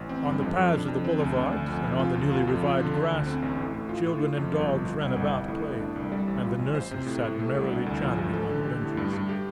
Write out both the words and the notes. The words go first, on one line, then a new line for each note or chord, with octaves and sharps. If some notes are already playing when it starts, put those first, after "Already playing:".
On the paths of the boulevards and on the newly-revived grass, children and dogs ran about, playing, and the nurses sat merrily chattering on the benches.
Already playing: A1
C4
G2
F2
F2
D4
F2
C4
D2
D4
D2
F2
F2
F4
D2
F4
F2
F4
D3
D4
D2
C4
A1
A2
A2
F4
A2
F4
F2
G1
G1
F4
C2
G1
G1
A2
A2
D4
C2
G3
A1
F4
A1
C5
C3
A2
A2
A3
C2
D4
D2
F3
A1
A4
D3
G4
A2
G2
G2
G4